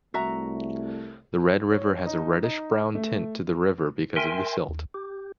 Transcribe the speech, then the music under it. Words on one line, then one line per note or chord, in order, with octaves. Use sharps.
The red river has a reddish-brown tint to the river because of the silt.
C2 A3 F#4 E5 A#5
C#5
D#4
D#4
A3
A#4 E5 G5 G#5 C6
D#2
G4